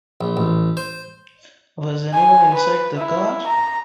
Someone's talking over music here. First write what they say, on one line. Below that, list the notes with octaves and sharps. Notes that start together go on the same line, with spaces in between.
Was any one inside the car?
A#1
A1
C5
G#5
B4
E4
A#5